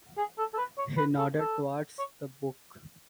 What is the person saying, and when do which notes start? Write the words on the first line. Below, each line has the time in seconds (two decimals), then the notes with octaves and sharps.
He nodded towards the book.
0.17 G#4
0.38 A4
0.53 A4
0.58 B4
0.78 C#5
0.97 B4
1.18 A4
1.39 A4
1.99 C#5